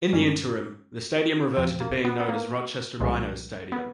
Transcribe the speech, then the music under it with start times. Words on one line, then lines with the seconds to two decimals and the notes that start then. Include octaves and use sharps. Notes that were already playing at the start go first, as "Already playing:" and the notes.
In the interim, the stadium reverted to being known as Rochester Rhinos Stadium.
0.13 G2 D#3 G#3 C#4
1.56 E2 C3 F3 G#3 C4
1.80 A#3
2.05 B3
2.20 B3
2.29 A#3
3.00 C2 A#2 F3 G#3
3.72 B3